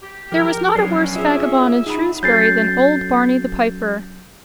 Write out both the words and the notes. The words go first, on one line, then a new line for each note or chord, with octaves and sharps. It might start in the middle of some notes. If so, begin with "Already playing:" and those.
There was not a worse vagabond in Shrewsbury than old Barney the piper.
G4
F3 G4 A#4
B2 F#3 C#4 D4 C7
F4 G#4 E5
C3 F#3 D#4 G#4 B5
F#3 C#4 A4 G6 A6 C7